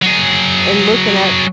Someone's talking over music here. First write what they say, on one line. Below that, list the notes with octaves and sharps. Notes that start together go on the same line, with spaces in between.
and looking at
F#3 G#4